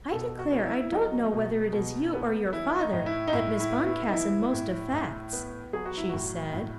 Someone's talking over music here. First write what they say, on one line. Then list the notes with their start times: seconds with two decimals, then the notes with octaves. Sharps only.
"I declare I don't know whether it is you or your father that Miss Boncassen most affects," she said.
0.12 B2 A4
0.39 F#4
0.52 B3
0.58 D#4
0.66 E4
0.81 E4
0.92 F#3 D#4
1.33 B2
1.73 B2
2.13 B3
2.52 E3 E4
2.79 D#4
2.93 A2
3.06 E4
3.28 D#4
3.33 A2 E4
3.60 E4
3.73 B3
3.86 E4
4.09 D#4
4.13 E3 E4
4.53 A2
4.93 A2
5.33 B3
5.73 F#3 G#4
5.85 F#4
5.97 E4
6.09 A2 F#4
6.53 A2